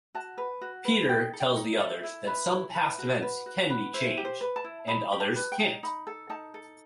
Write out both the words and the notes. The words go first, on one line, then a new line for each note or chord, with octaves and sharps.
Peter tells the others that some past events can be changed, and others can't.
F#4 A5
B4
F#4
B4
D#4 G5
A4
G5
D#4
E5
A4
E4
B4
E4
B4
F#4
B4
F#4
B4
E4 C5
G4
C5
B4
A5
E4
D#4 B5
G4
A5
B4
G5
D#4
D#4 B5
A4
D#4 A5
A4